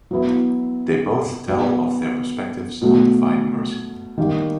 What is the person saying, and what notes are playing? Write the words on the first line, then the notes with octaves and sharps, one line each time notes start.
They both tell of their perspectives on Divine Mercy.
F#3 B3 E4
B2 F#3 B3
B2 F#3 A3
D#3 G3 A#3